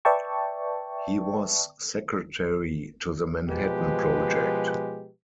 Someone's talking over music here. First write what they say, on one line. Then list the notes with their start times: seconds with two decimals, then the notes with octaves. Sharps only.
He was Secretary to the Manhattan Project.
0.05 B4 D5 E5 G5 A5 C#6
3.48 B2 F3 G#3 G4 B4